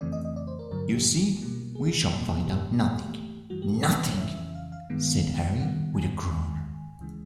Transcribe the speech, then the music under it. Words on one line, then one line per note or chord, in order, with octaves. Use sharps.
"You see, we shall find out nothing — nothing," said Harry, with a groan.
F2 C#3 E3 A3 C4 D5
D#5
D#5
D5
C5
A#4
G2 D3 F#3 A#4
G4
B2 G3 A#3
G#4
B2 F#3 A#3
G4
G#2 E3 A3
G2 E3 G3 F#4
G4
A4
A#4
B4
C5
C#5
F2 C#3 E3 E5
E5
F5
F5
G2 D#3 G#3 B3
G#2 D#3 G3 B3 F#5
G#5
G#2 D#3 G#3
D2 C#3 E3 G#3